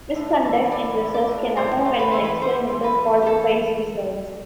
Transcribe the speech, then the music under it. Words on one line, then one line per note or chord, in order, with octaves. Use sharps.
Misconduct in research can occur when an experimenter falsifies results.
A2
E3
E3 D5
A2
D5
A2
A2 C5
A2
B4
E3 C5
B4
G3 C5
E3
B4
G3
G4
E3 A4